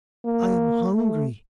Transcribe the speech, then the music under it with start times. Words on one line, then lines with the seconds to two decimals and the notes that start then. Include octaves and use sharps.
"I am hungry."
0.25 A#3
0.93 A3